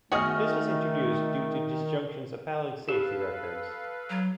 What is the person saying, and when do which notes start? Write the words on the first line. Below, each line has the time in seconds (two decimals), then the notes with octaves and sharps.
This was introduced due to this junction's appalling safety record.
0.12 D#3 A3 F#4 G#4 D#5 F6
2.89 G4 A4 B4 F5
4.10 F#3